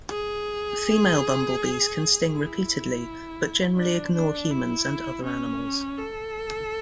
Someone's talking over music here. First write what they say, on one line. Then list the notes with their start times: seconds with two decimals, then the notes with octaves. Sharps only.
Female bumblebees can sting repeatedly, but generally ignore humans and other animals.
0.10 G#4
2.31 E4
3.77 D4
4.14 D4
4.51 E4
5.24 C#4
5.98 A4